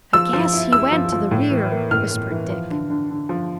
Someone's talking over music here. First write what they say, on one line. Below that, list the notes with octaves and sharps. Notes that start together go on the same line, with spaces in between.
"I guess he went to the rear," whispered Dick.
F3 E6
F3
E4
E4 E6
F3
F3
A2
E3
A#3
A2 F6
A2
E3
F3
D3
D3
D3
F3